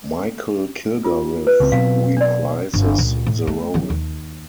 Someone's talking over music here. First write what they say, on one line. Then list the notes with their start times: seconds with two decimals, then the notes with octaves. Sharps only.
Michael Kilgarriff reprises the role.
1.04 F4
1.47 B4
1.60 C#2 C4
1.72 B2 F#3 C4 F5
2.17 D4 D5
2.74 G1
2.98 C#2 A#2
3.27 A2
3.47 A3
3.74 D#3 F#3
3.90 D#2